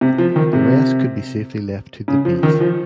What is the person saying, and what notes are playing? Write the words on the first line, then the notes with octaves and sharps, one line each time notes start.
The rest could be safely left to the bees.
C3
F3
D#3
C3
C#3
F3
D#3
F3